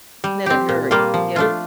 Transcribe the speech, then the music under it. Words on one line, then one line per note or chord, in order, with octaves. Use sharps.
and in a hurry, yeah we
G3
C4 G4
A#2
G3 A#3 F4
F3
A3 D4 F4